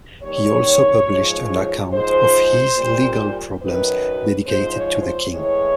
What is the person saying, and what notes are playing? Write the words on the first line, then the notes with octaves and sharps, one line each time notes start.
He also published an account of his legal problems, dedicated to the King.
D#2 D#3 G3 C#5
G#2 F3 G#3
G#2 F3 G#3 C5
A#2 G3
F#2 D#3 F#3 B4
G#2 F3 G#3 C5
C#5
C5
A2 E3 G#3 C#5